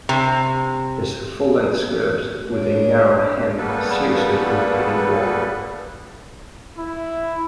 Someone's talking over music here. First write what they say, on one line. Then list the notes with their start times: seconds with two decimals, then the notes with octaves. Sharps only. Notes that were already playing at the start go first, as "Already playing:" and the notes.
This full-length skirt with a narrow hem seriously impeded walking.
0.09 C3
2.50 G#3 A#3 D4 A4 C#5
3.57 C#3 G3 A#3 B3 A4 B4
6.76 E4